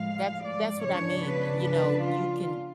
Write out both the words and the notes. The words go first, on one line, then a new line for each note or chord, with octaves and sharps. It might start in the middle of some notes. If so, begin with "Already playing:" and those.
That's that's what I mean, you know, you can
Already playing: A2 F3 G#3 F5
D5
C#3 F3 B3 D4 C#5
B4
B4
F4